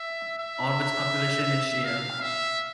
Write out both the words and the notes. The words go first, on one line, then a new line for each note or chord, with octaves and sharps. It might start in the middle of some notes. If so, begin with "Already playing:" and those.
All of the its population is Shia.
Already playing: E5
E5
F5
E5